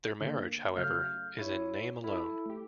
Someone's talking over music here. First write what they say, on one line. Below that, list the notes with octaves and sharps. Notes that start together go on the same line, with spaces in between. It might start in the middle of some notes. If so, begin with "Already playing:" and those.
Their marriage, however, is in name alone.
D3 A#3
C#3 F#3 A3 F5 F6 G6
E4 C#5
E4 A4
A3 G4